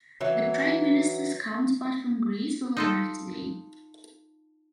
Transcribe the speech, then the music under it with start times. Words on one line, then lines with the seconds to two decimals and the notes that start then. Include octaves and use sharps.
The prime minister's counterpart from Greece will arrive today.
0.21 E3 F#3
2.77 D#4 F4 A4